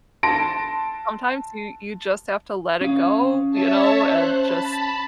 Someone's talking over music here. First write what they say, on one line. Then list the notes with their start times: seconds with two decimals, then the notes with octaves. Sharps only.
sometimes you you just have to let it go, you know, and just
0.23 A5 C6 A#6 D7
2.81 C#4 F5
3.51 C#5 E5 A5
4.07 C5 F#6
4.39 A5 B5